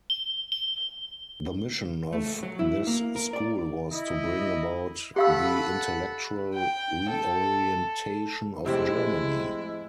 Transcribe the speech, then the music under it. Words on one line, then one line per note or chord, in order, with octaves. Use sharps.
The mission of this school was to bring about the intellectual reorientation of Germany.
G7
G7
A3
F#3
E4
A#3
A#4
D5
E4 D#5
G4 A4 F5 F#5 B5 E6
G5
A4
F2 A2 C3 G#3 C4 E4